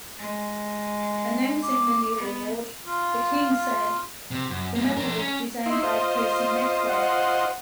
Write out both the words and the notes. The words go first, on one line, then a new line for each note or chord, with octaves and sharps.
Announcing the new award, the King said: The medal was designed by Percy Metcalfe.
G#3
D6
B3
F4
C3
F#2
G2 A#3
D4 A#4
C#4
D#4 E4 C6
F4 C5 D#5
F#5